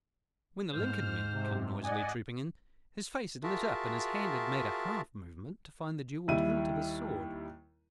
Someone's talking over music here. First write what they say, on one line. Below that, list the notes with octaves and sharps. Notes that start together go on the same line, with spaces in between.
When the Lincoln men had come noisily trooping in, his face had lit up and his hand had made a half-movement to find the jewelled hilt of his sword.
G#2 C5 F6
C3
D5 D#5 F#5 G#5
F4 F#4 G#4 A#4 E5 A5
D#2 G3 E4 D#7